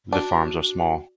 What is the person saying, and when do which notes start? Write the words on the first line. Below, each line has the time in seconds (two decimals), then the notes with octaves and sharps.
The farms are small.
0.12 D4 F#4